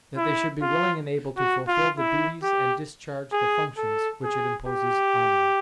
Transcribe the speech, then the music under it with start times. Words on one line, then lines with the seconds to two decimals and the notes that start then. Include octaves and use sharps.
That they should be willing and able to fulfill the duties and discharge the functions which it imposes on them.
0.17 E4
0.62 F4
1.37 F#4
1.68 F4
1.98 E4
2.43 G4
3.33 G#4
3.78 A4
4.24 G#4
4.68 G4